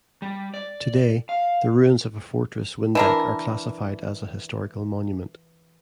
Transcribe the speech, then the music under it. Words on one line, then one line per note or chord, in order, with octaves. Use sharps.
Today, the ruins of a fortress Windeck are classified as a historical monument.
G3
D5
F5
E3 D4 A#4